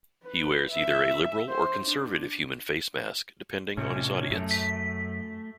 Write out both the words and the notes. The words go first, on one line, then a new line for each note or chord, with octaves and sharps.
He wears either a "liberal" or "conservative" human face mask, depending on his audience.
B4
E5
C5
D4
A2 C3 C#4
F#2 A3
B6